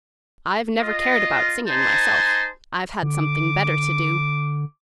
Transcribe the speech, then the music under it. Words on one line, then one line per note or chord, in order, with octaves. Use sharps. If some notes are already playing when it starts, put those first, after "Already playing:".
I've never cared about singing myself; I've had something better to do.
F4 D#5
D#4 C5 G#5 A5 C6
D3 D6